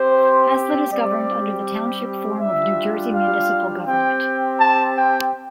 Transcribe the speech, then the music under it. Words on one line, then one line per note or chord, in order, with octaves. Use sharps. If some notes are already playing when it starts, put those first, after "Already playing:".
Hazlet is governed under the Township form of New Jersey municipal government.
Already playing: C4 G4 C5
G3 C4 G4 D5
G3 D4 F4 E5
F5
C4 G4 G5
A5
G5